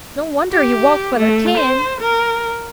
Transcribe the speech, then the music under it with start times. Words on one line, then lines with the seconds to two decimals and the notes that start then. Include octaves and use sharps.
No wonder he walked with a cane!
0.52 G4
1.17 A3
1.57 C5
2.01 A#4